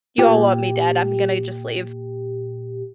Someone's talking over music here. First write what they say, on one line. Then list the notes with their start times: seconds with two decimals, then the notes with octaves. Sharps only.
you all want me dead, I'm gonna just leave."
0.18 A#2 G4